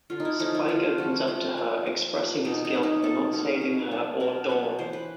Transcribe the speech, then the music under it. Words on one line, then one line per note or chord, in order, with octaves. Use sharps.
Spike opens up to her, expressing his guilt for not saving her or Dawn.
D3 F4
D#4
E4
F3 A3 C#4 D#4
E4
D3 F4
F3 A3 C#4 F#4
F3 F4
A#3 D4
F3
A#3 D4
B2 D#4
D#4
F#3 A#3 C#4
D#4
B2 A4
F#3 A#3 C#4
B2
F#3 B3 D4
B2 A#4
F#3 B3 D4 B4
E3 C5
B4